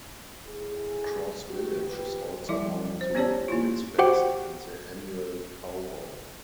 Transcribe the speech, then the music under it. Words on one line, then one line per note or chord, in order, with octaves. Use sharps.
Cross Village is also home to Blissfest and the annual pow wow.
A2 G#4
F#4 G4
F3 G4 B4
F3 G3 E4 D5 E5
C5
B3 C#4 G4 C#5 D5 A5
A#3 E4 F4
F#4 G4 C5 F#5 G5